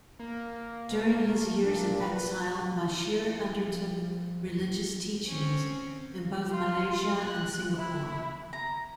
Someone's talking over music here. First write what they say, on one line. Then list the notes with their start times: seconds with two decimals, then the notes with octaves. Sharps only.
During his years in exile Bashir undertook religious teachings in both Malaysia and Singapore.
0.19 A#3
0.88 B2
1.24 A3
1.62 A#2 D4
2.00 B4
2.94 E4
3.68 F3
5.28 C4 C#4
6.52 F4
7.21 F#6
7.77 E4
8.53 A#5